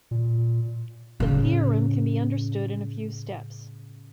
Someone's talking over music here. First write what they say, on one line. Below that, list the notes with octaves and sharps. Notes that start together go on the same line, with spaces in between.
The theorem can be understood in a few steps.
A#2
A2 C#3